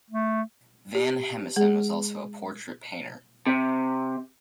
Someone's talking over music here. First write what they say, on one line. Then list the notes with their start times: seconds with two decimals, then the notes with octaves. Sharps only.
Van Hemessen was also a portrait painter.
0.10 A3
0.95 G4
1.56 G#3 G#4
3.47 C3